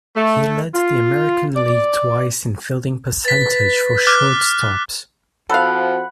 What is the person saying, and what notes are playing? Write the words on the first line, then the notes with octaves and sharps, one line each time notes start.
He led the American league twice in fielding percentage for shortstops.
A3
F4
D5
B4 A6 B6
D6 F6 F#6
F3 C4 F#4 A4 F5 F#5 B5 F#6